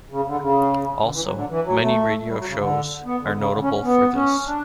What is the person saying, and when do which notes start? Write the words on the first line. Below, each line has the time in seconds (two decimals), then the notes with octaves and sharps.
Also, many radio shows, are notable for this.
0.10 C#3
0.26 D3
0.41 C#3
1.03 D3
1.13 E3
1.24 F#3
1.34 D3
1.49 E3
1.65 F#3
1.81 A3
2.28 G3
2.38 F#3
2.48 C#3
2.59 D3
3.05 B3
3.20 D3
3.36 C#3
3.52 D3
3.62 C#4
3.83 B3
4.14 C#4
4.46 D4